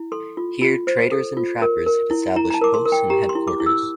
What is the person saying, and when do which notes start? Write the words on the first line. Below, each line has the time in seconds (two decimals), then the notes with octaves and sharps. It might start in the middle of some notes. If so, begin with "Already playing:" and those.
Here traders and trappers had established posts and headquarters.
Already playing: E4
0.12 A4 C6
0.37 F4
0.62 F4
0.87 C5
1.12 A4
1.37 F4
1.62 A#4
1.86 A#4
2.11 E4
2.36 E4 A#5
2.50 A#5
2.54 A5
2.61 A#4 D6
2.74 C6
2.85 A#4
2.92 G5
3.10 G4 A#5
3.29 C6
3.35 E4
3.47 D6
3.60 E4
3.66 E6